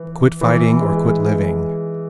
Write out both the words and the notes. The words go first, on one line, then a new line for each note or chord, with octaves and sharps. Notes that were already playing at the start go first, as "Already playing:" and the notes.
Quit fighting or quit living.
Already playing: E3
E3
G#3